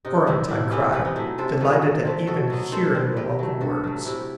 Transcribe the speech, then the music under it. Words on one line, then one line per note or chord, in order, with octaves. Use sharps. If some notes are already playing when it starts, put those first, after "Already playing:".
"A torrent," I cried, delighted at even hearing the welcome words.
C3 D#4
D#3 G3 C4 E4
A2 E4 G4
E3 B3 E4 G4
C3 G4 B4
D#4
F#3 A3 E4
C3 A4 C5
D#3 F#3 B3
D#3
A3 C4
B2 F#4 A4
F#3 B3
D#3 A4 C5
G3 C4
D#3 G4 B4
F#3 A3
G2 F#4 A4
F#3 A3
C3 E4 G4